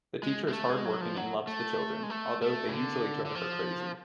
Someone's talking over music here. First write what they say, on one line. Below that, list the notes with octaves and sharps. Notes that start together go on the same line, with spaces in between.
The teacher is hard-working and loves the children, although they usually drive her crazy.
G#3
G#3
A3
G#3
F#3
F3
F#3
A3
G#3
A3
A3
C#3
D3
D3
F3